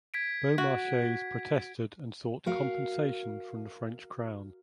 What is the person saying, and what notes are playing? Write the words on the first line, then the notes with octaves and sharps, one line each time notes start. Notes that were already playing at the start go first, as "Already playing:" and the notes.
Beaumarchais protested and sought compensation from the French Crown.
G#6 B6 D7
F#4
F#4 A#4 F5